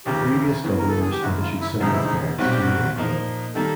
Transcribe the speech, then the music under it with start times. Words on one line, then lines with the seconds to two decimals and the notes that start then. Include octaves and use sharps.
Previous governors had issued similar calls to no avail.
0.05 F1 D#2 C#3 F3 A#3 G4
0.63 E2 C#3 E3
0.77 A#4
0.88 A4
1.00 G#4
1.11 G4
1.22 G#1 F#2 C#3 F#4
1.42 F4
1.61 E4
1.80 E1 D2 C#3 F3 G#3 D#4
1.92 E4
2.04 D#4
2.38 B1 A#2 G3 C4 F#4
2.50 G4
2.61 F#4
2.96 A#2 F3 A#3 D#4
3.55 D#3 G3 A#3 A4